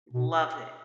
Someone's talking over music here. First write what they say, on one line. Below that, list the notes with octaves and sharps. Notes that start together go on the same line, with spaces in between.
Love it.
B2